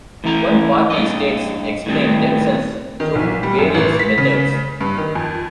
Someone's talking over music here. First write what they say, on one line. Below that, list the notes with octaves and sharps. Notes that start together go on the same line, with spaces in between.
One-party states explain themselves through various methods.
A2 E3 E4 A#5
G2 D#5
A2 D#3 G3 C4
D#3
B1
G3
F#2
A1
B6
C#3
G2
D#3
F2